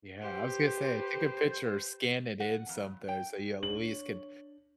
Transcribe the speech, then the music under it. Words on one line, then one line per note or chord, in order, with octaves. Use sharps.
Yeah, I was gonna say, take a picture or scan it in something so you at least could
G4 B4 C5
F#5
F2
G5
D4 C#5 F#7